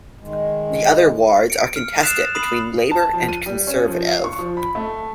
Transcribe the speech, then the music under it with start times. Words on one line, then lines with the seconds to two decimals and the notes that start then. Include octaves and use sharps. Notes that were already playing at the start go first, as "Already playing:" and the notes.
The other wards are contested between Labour and Conservative.
0.20 D#3 G#3
1.50 C#7 D7
1.76 F6 C#7
2.03 D#6 F#6 A6 C7 E7 F7
2.35 B5 D#6 C7 F#7
2.91 A5
3.13 F3
3.29 D#7
3.46 G3
3.67 C#4
3.88 F3
4.08 F5
4.24 C#6
4.39 F3
4.57 B5
4.75 A3